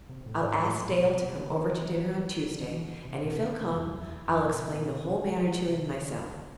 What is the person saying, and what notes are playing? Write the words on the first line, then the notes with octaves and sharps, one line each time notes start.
I'll ask Dale to come over to dinner on Tuesday; and if he'll come, I'll explain the whole matter to him myself.
C3
A2
G#2
A2
B2
C3
D3
E3
D3
E3
C3
B2
D3
C3
F2
E2
F2
B2
D3
C3
B2
C3
D3